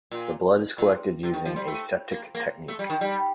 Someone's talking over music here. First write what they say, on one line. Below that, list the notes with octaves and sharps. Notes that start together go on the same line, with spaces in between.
The blood is collected using aseptic technique.
A#2
A#2
C3
D#3
F3
G3
A3
A#3
A#3
A3
G3
D#3
G3